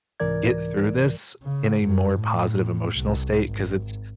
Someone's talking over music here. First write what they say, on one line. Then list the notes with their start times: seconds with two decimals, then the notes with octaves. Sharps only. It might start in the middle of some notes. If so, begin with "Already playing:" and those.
get through this in a more positive emotional state? 'Cause it's
0.20 C2 G#2 E3 A#4 D5 G#6
1.43 C#3
1.84 F#2
2.19 A2
2.98 C2
3.45 G#1